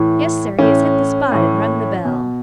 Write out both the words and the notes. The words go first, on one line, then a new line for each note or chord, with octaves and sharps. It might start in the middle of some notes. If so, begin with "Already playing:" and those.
Yes, Sir, he has hit the spot and rung the bell.
Already playing: A2 E3
A2 E3 C#4
A2 E3
B2